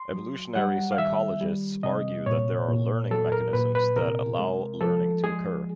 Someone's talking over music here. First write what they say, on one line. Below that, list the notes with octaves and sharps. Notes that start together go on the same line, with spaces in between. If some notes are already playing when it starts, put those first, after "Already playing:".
Evolutionary psychologists argue that there are learning mechanisms that allow learning to occur.
Already playing: C6
F#3
G3 F#5
F5
D#3 E5
G3
C3 D#5
A#2 C#5
A#2
F#3 A4
A#4
A#2 B4
B4
C3 A#4
G#3
F3 A4
G#3 G#4